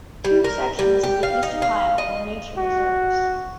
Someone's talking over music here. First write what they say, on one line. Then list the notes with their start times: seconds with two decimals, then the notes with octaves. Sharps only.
Two sections of the East Pyl are nature reserves.
0.25 G3
0.44 A#4
0.79 G3
1.03 G4
1.23 F5
1.43 D#4
1.62 F5
1.98 D#5
2.58 F#4